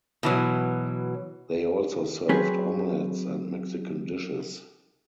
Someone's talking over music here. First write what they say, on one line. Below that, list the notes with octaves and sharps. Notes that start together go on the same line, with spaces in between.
They also served omelettes and Mexican dishes.
B2 E3 F#3
F#3 C4 G#4 B4